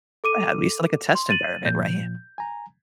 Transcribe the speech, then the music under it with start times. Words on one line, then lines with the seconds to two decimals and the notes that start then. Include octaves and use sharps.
At least, like, a test environment, right?
0.24 A4 D6 D#7
1.15 C6
1.29 A6 D#7 F#7
1.66 A#2 F3 G6
2.38 G#5 A#5